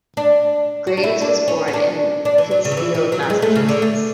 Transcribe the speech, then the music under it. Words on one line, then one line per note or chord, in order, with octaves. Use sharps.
Graves was born in Pittsfield, Massachusetts.
D4
F#4
D4
E4
D4
C#4
C#4
D4
D4
E3
F#3
C#3
F#3
E3
E3
F#3
F#3
G#3
A3
C#3
D3
A3